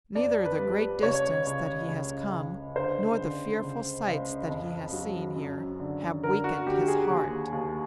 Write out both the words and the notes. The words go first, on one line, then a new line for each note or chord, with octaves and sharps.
Neither the great distance that he has come nor the fearful sights that he has seen here have weakened his heart.
F2 D5
B4
G3
C#2 C#5
C#2
C#2
C#2
D3 C5
D3
C#2
C#2
F2
F#3
F#2
D3
D3 A#4
F#4
D2 G4
G#4
D#2
D#2